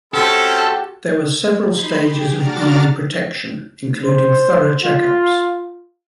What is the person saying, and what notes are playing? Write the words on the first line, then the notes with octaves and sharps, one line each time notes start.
There were several stages of army protection including thorough checkups.
A3 C4 C#4 F#4 G4 A4
D#4 B5 C6
G4 G#4
D4 F#4 A#5 D6 F6 A6
C5
F4